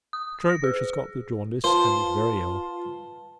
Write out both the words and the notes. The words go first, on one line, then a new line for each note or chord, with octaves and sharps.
Troubridge has got the jaundice, and is very ill.
D#6
A#6
G#4
F4 B4 C5 A5